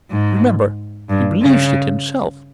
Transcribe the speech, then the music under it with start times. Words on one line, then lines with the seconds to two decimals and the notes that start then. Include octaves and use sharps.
Remember he believes it himself.
0.11 G#2
1.10 G2
1.42 C#3